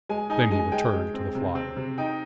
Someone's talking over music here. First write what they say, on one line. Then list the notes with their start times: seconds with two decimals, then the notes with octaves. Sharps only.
Then he returned to the flier.
0.09 G#3 G#5
0.30 D#4 G#5
0.51 G#3 G#5
0.72 G#3 G5
0.93 G#3
1.14 C4
1.35 C3
1.55 C4
1.76 C3
1.98 D#4 G5